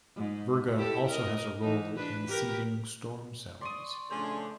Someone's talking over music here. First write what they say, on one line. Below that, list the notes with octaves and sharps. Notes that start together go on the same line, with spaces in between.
Virga also has a role in seeding storm cells.
G#2
E4 G4 A4
A#4 D#5
E3 D#4
D4 B4
G4 A#4 B4
D5 C6 C#6 D#6
A#1 C#3 A3 C#4 D4 G#4 C5